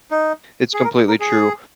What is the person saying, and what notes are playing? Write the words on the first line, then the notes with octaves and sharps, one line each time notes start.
It's completely true,
D#4
G#4
A#4
G#4
A#4
G#4